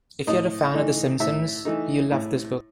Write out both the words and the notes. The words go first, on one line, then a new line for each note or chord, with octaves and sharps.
If you're a fan of "The Simpsons", you'll love this book.
A2 D#5
E3 A3 D#4
A2 E5
E3 A3 D#4
A2